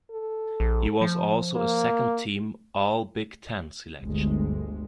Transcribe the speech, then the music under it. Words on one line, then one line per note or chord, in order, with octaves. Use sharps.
He was also a second team All-Big Ten selection.
A4
A#1
F3
A#3
G1 D2 G#3